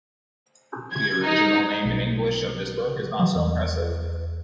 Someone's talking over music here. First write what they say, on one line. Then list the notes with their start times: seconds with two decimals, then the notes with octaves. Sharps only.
The original name in English of this book is not so impressive.
0.92 G#6
1.24 D#4
1.85 B1
3.19 E3 F#3
3.35 E2